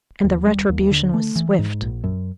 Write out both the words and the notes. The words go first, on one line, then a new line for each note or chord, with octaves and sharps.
And the retribution was swift.
D#2
G3
D#2
D3
A3
E3
G#2
A#1
F#2